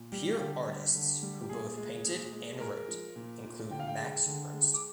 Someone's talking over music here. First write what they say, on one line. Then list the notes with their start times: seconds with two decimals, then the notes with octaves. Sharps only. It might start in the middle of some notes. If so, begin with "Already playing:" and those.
Peer artists who both painted and wrote include Max Ernst.
Already playing: A#2
0.12 G3 G4
0.32 F4
0.40 D3 G4
0.67 G3
0.95 D3
1.23 G3
1.42 G4
1.50 A#2 G#4
1.78 G#3
2.05 A#2
2.32 G#3
2.60 G#3 A#4
2.89 F3
3.16 A#2
3.44 A#2
3.70 D3 G5
3.80 F5
3.87 G5
3.98 G#3
4.26 D3
4.53 G#3
4.74 D6